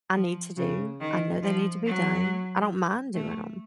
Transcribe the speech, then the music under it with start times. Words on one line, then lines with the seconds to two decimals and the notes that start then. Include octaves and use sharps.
I need to do, I know they need to be done, I don't mind doing 'em,
0.14 F3
0.58 C#3
1.00 D#3
1.43 F3
1.86 F#3
3.15 A3